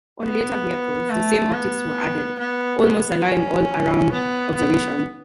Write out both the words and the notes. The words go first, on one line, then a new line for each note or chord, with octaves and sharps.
On later vehicles, the same optics were added, almost allowing all-around observation.
B3
A3
B3
B3
B3
C#4
B3
B3